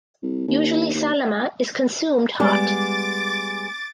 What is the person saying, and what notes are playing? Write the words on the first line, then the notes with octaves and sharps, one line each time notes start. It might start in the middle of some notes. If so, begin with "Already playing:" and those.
Usually salama is consumed hot.
C2
D#2
D#2
G3 G#3 B3 D6 A6